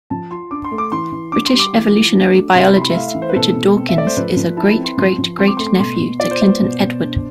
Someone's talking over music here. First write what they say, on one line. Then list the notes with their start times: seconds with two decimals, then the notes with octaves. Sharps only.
British evolutionary biologist Richard Dawkins is a great-great-great-nephew to Clinton Edward.
0.10 F3 A5
0.31 F4 C6
0.51 D4 D6
0.64 C6
0.71 A3
0.78 D6
0.92 E3 C6
1.12 E3
1.32 D4 D6
1.46 C6
1.53 G3
1.59 D6
1.73 E3
1.93 F4
2.13 D4
2.34 A3
2.54 C3 C6
2.68 B5
2.75 E4 C6
2.82 B5
2.90 E5
2.95 A3 F5
3.08 E5
3.15 E3
3.22 C5
3.29 B4
3.36 B2 A4
3.56 B2
3.77 C4
3.89 E5
3.97 A3 D5
4.07 C5
4.17 F3 B4
4.36 F3
4.57 E4 A5
4.71 B5
4.77 C4
4.85 C6
4.98 F3 C6
5.18 F3
5.38 C4 C6
5.48 D6
5.57 A3 C6
5.79 B2 C6
5.99 B2
6.20 F4 D5
6.31 C5
6.41 B3 D5
6.61 B2
6.80 B2
7.01 D4